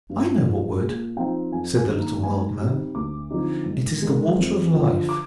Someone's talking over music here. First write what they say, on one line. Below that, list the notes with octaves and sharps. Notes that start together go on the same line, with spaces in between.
'I know what would,' said the little old man; 'it is the Water of Life.
G2
F3 G#3
A#2 G#4
F3 C4 D#4 G5
F2 G#5
G#5
D#3 A#3 D#4
A#5
G#2 G#5
G3 C4 D#4
D2 D6
D3 F3 C4 D#4
G#2
D#3 G#3
F2
D3 F3
D6